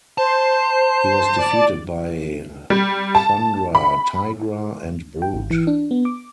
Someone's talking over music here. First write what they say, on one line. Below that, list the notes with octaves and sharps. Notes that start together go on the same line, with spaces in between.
He was defeated by Thundra, Tigra, and Brute.
C5 A5
D5
G3
A5
B5
G5
G#1
E3
D4
B3
D6